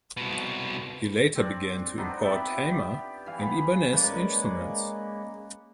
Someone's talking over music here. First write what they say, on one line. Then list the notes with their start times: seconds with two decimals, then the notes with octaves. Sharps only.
He later began to import Tama and Ibanez instruments.
0.17 C2 B2
1.35 C4 D4 D5
1.97 B3 C4 D4 D#4
2.23 D5 E5 G5 B5
2.57 G4
3.26 E3 F5 G#5
3.39 B3 B5
3.93 G#3 A#3 C#4 B4 D5